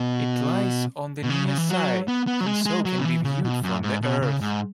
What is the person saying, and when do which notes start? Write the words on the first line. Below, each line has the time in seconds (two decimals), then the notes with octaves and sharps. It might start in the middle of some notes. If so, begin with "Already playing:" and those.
It lies on the near side and so can be viewed from the Earth.
Already playing: B2
1.23 B2
1.30 C#3
1.47 C#3
1.58 E3
1.69 F#3
2.08 B3
2.27 B3
2.40 F#3
2.46 G#3
2.66 G#3
2.85 F#3
2.98 C#3
3.05 E3
3.24 C#3
3.44 B2
3.63 F#2
3.83 G#2
4.02 B2
4.22 C#3
4.41 G#2